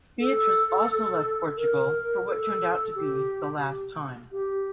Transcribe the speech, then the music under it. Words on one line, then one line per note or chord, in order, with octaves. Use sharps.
Beatrice also left Portugal for what turned out to be the last time.
A4
A#4
A4
G4
G4